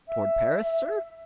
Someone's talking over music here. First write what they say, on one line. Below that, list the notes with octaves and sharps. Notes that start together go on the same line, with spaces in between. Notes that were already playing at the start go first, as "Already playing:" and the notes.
"Toward Paris, sir?"
E5